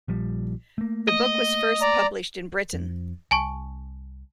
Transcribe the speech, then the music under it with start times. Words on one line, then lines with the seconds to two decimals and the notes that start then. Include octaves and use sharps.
The book was first published in Britain.
0.08 A#1 F3 G3
0.78 A3 A#3
1.09 D#5
1.81 D5 A#5
2.73 F2 F3
3.31 C2 G#5 A5 C#6